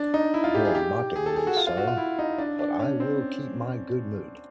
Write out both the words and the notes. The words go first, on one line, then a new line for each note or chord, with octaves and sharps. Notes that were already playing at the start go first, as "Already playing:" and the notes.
You’re mocking me sir, but I will still keep my good mood.
Already playing: D4
D#4
E4
F4
G4
G#4
G4
G#4
A4
G#4
F#4
F4
F4
F#4
F4
E4
D#4
D4
D4
C#4
C4